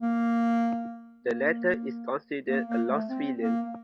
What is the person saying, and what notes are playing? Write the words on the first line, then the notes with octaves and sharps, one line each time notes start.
The latter is considered a lost film.
A#3
A#3
A#3
A#3
A3
C4
A#3